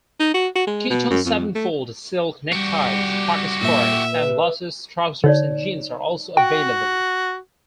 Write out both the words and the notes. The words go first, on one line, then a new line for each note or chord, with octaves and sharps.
Kiton sevenfold silk neckties, pocket squares, sunglasses, trousers and jeans are also available.
D#4
F#4
F#4
G#3
B2
F#2
F2
A3
G3 F#4 G4
A#2 E5
B4
D3 D#4 C#5 D5
F#4 G5